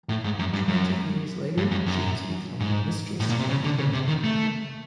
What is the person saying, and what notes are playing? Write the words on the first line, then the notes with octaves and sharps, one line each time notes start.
Twenty years later, she has become the mistress of a criminal.
A2
G#2
F#2
G2
F#2
G2
F#2
F#2
G#2
A2
A#2
C3
C#3
D3
C#3
C3
D#3
A3